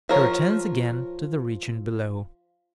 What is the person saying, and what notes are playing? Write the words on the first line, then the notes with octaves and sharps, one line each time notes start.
He returns again to the region below.
F3 A#4 C#5